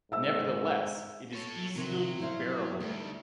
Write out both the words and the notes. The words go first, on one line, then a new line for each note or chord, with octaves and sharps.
Nevertheless, it is easily bearable.
G#2 E5 E6
A4 C#5
C3 D#3 F#3
E4 C5 F5
D2 G3 A3 D#4